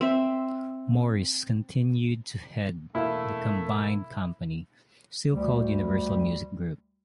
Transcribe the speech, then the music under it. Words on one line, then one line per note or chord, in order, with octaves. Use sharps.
Morris continued to head the combined company, still called Universal Music Group.
C4 E5
E1 A3 A#3 E4 F5
D2 G3